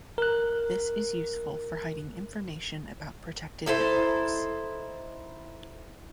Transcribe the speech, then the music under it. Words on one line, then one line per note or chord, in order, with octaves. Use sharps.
This is useful for hiding information about protected networks.
A#4 F#6
D#4 E4 A4 C5